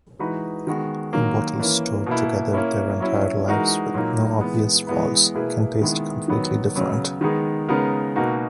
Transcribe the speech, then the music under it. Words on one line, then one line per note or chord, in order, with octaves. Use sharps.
Bottles stored together their entire lives, with no obvious faults, can taste completely different.
E3 G#3 D#4 F#4 B4
D#3 G#3 B3 F#4
D#3 F#3 A#3
E3 A#3 C#4
B2 A#3 E4
A#3 C#4 E4
F#3 C#4 E4
E3 G#3 D#4 F#4 A#4
A#2 F#3 A#3 D#4
E3 G#3 B3
E3 G#3 B3 E4 B4
B2 A#3 E4 G#4 B4
D#3 G#3 B3 E4 B4
D#3 F#3 B3
C#3 F#3 B3
D#3 G#3 B3 D#4 G#4
C#3 G#3 B3 D#4 A#4
B2 A#3 D#4 F#4